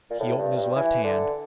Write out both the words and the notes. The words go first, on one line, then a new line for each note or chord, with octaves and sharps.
He opened his left hand.
A#2
A2
G2
G2
E3
D3